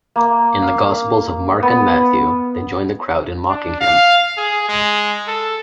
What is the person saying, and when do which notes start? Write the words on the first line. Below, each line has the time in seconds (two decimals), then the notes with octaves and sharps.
In the Gospels of Mark and Matthew, they join the crowd in mocking him.
0.16 A#3
0.62 F5
1.62 B3
3.50 D4
3.81 F5
4.37 G#4
4.69 G#3
5.28 A4